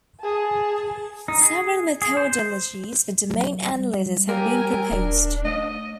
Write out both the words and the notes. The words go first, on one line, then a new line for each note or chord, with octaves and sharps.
Several methodologies for domain analysis have been proposed.
G#4 A5
D#4
G#4
G#4
C5
F#3
G3
G4 A#4 G#5
D#1 D4
A3 D#5